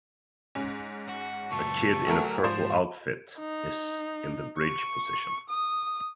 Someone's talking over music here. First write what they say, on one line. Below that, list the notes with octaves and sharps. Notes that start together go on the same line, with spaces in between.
A kid in a purple outfit is in the bridge position .
G#2 C#4
F#4
C#2 F#2 A5 C#6
D2 F#3 A3 A#4
G#2 F3 C5
D#4
C#6
D#6